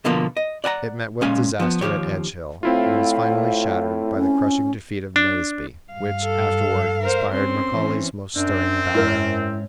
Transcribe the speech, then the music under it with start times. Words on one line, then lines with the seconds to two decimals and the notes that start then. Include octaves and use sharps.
It met with disaster at Edgehill, and was finally shattered by the crushing defeat of Naseby, which afterward inspired Macaulay's most stirring ballad.
0.04 D2 B2 D3 F3 A#3
0.37 D#5
0.64 D5 F#5 G#5 A#5
1.21 A#2 G#3 C#4 F5 G#5
1.60 F3 B3
1.81 D#2 C3 F3 G4 C#5
2.63 A2 C4 E4 F4 F5
4.16 C#4
5.16 D4
5.93 G2 F5
6.22 A4
7.01 A#4 C5
7.31 C4 C#4 C6
7.72 E3 C#4
8.36 F#2 C4 D4
8.95 G#2 C#4 E4 A#4